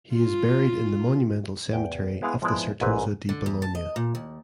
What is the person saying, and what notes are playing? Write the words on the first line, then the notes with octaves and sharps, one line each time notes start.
He is buried in the monumental cemetery of the Certosa di Bologna.
F4
E2 G5
G#3 B3 E4 G#4 F5 F#5
F3 G#3 B3 E4 D5
A#1 G#2 C4 B4 G#5
D3
E2
A5
D#5
A#2
D#2